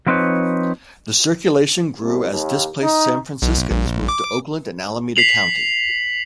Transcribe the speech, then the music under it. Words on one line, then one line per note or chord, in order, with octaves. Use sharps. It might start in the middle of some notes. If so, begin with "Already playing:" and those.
The circulation grew as displaced San Franciscans moved to Oakland and Alameda County.
F3 F#3 C4 D#4 B4 C#5
C2
D#2
D#4
B1
A#1
D6
B6 C7 F7 F#7